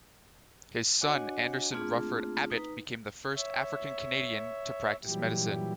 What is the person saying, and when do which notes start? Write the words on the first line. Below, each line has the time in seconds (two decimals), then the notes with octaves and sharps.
His son Anderson Ruffin Abbott became the first African Canadian to practice medicine.
1.01 D4 F#4 C#5 D#5 F#5 G#5
1.72 A3 A#3 C4 D4 F4 G#4
2.50 D#4 B4 A#5
3.35 C#5 E5
5.04 A#2 E3 F#3 G3 E4 G4